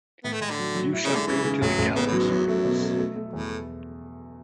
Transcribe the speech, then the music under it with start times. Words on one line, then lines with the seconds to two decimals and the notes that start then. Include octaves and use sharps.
You shall go to the gallows for this.
0.24 A2 B3
0.32 A3
0.41 A2 G#3
0.50 D3
0.59 F#3
0.75 F#3
0.93 E4
1.04 C#3
1.09 G#3
1.15 D3
1.27 E3 C#4
1.44 C#3
1.61 A1 F#3
1.79 A1
1.95 C#3 B3
2.07 A2
2.12 F#3
2.19 G#2
2.30 E2 F#3
2.47 F#2 A3
2.65 B2
2.82 A3
2.98 A3
3.16 A3
3.33 E2 A2